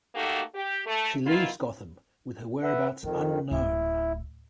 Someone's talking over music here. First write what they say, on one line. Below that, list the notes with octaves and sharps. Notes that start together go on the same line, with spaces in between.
She leaves Gotham, with her whereabouts unknown.
A3 A#3 D#4 F#4 G4 A4
G4
A3
D#3 B3 E4 F4
B4 E5 F#5
F2 D#3 F4
D1 E4